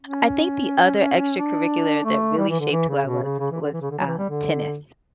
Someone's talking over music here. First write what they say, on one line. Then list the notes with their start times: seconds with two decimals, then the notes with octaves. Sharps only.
I think the other extracurricular that really shaped who I was, was, um, tennis.
0.02 C#4
1.38 D4
2.05 A3
2.38 G3
2.49 E3
2.60 D3
2.71 E3
2.89 C#3
3.06 B2
3.22 C#3
3.39 C#3
3.51 E3
3.61 D3
3.73 E3
3.81 C#3
3.90 D3
3.99 F#3
4.06 E3
4.18 G3
4.30 D3